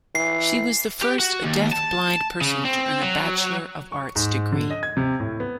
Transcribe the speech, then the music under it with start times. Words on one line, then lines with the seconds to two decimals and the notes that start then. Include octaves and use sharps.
She was the first deaf-blind person to earn a bachelor of arts degree.
0.15 E3 C7
1.02 G4
1.19 F#4
1.43 D#2
1.73 A5
2.41 C#3
2.65 C4
3.02 F#3
3.92 C#6
4.16 G#2
4.52 D3
4.71 D#5
4.83 G#6
4.97 C3
5.20 A2
5.40 B3